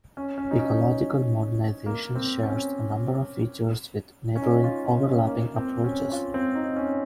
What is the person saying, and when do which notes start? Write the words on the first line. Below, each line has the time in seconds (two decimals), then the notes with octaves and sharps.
Ecological modernization shares a number of features with neighbouring, overlapping approaches.
0.17 C#4
0.38 C#4
0.51 D#4
0.59 C#4
1.86 A#3
2.15 C4
2.43 C#4
4.36 C#4
4.41 D#4
4.64 F4
4.84 D#4
5.06 C#4
5.27 A#3
5.56 C4
5.84 C#4
6.12 F4
6.34 C4
6.55 D#4
6.76 C#4